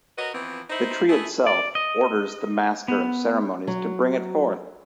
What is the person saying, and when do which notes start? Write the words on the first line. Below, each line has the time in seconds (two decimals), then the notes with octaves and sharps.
The tree itself orders the master of ceremonies to bring it forth.
0.17 F#4 A#4 B4 D#5
0.33 E3 F3 B3 C4
0.70 D#4 E4 C5
1.10 A3 E4 G#4
1.47 D5
1.75 D#5
2.88 B3
3.67 F#3